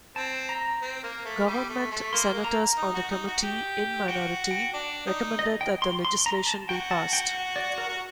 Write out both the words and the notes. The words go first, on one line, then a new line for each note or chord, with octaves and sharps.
Government senators on the Committee, in minority, recommended that the legislation be passed.
C4 A5
A#5
C4
A#3
A3
G3
A3
A3
A#3 C6
A#3
A#5
D#4
F#4
D#4
F#4
G4
F#4 G5
G5
D4
D#4
D#5
G5
C6
C6
A#5
A5
F#4 G5
A5
G5
F#5
D5
A#4
F#4